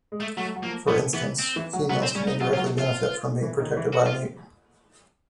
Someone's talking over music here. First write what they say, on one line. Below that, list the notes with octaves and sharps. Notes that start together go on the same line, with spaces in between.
For instance, females can indirectly benefit from being protected by a mate.
G#3
A3
F#3 A3
F#3
F3 A#3
F3 B3
E3 B3
C4
E3
F#3
F#3 B3
C4
G3 C#4
D#4
F#3 F4
F4
F#3
F3
F4
E3
D#3
E3
F#4
F4